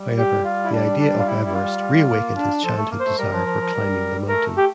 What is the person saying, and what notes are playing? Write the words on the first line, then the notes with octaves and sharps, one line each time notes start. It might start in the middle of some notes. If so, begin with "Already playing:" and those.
However, the idea of Everest reawakened his childhood desire for climbing the mountain.
Already playing: G3
G4
F4
E4
D4
D4
F4
E4
E4
F4
A#3
D4
F3 A4
A3
A#3
C5
A3
G3 A#4
F3
F3
F3
G3
A3 A#4
G4